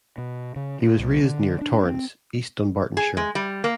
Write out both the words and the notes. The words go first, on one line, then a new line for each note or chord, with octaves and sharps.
He was raised near Torrance, East Dunbartonshire.
B2
C#3
A#2
C2
D3
D4
C4
G#4
G#3
G3
A#3